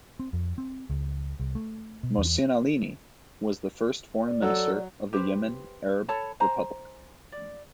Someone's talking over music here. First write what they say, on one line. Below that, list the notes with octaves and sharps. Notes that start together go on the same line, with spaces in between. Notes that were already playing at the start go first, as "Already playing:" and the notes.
Mohsin Alaini was the first Foreign Minister of the Yemen Arab Republic.
C4
F2
C4
C#2
C2
A3
B2
E2
D5
F#3 A4
G4 B4 C5
A4 C#5 A5 B5
C5 G#5 A#5
D5